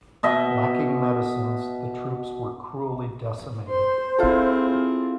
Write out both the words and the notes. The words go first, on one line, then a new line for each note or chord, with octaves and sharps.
Lacking medicines, the troops were cruelly decimated.
B2 D#5 E5
C5 C6
C4 E4 F4 G#4 A4